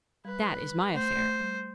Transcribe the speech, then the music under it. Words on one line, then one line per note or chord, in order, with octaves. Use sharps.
'That is my affair.
G3 B4
A3 C5
A3
G3